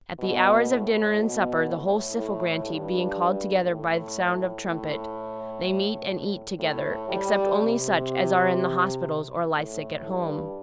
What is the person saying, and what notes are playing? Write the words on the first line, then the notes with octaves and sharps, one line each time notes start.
At the hours of dinner and supper the whole Syphogranty being called together by sound of trumpet, they meet and eat together, except only such as are in the hospitals or lie sick at home.
B2
A2
B2
A2
A2
G2
A2
A2
A2
G3
C3
A2
G2